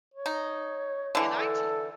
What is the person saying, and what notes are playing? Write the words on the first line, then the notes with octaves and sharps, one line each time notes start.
And I to
C#5
D#4
D3 E3
A4